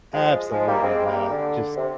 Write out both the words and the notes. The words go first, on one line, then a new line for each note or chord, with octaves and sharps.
Absolutely not, just
F3 G#3
F3 G#3
G3 A#3
G#3 C4
G3 A#3
D3
C3